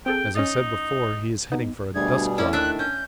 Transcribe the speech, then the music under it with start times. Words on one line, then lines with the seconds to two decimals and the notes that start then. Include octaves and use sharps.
As I said before, he is heading for a dust-cloud.
0.06 C4 G#4 A4 G5
0.36 C#4 D#4 D#5 A6
1.52 B3 D#4
1.95 D2 B2 G3 G#4 G#6
2.38 A2 C#4 E4 D5
2.53 D#3 D4 E5 F#6
2.79 C#4 G6